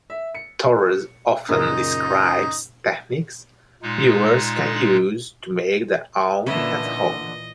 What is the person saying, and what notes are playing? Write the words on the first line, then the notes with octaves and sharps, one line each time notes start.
Torres often describes techniques viewers can use to make their own at home.
E5
C#7
F#2 A#2 C#3 D#4
A#2 G#3 D#4
A#2 D3 E3 A3 C#4 B4 D#5 E5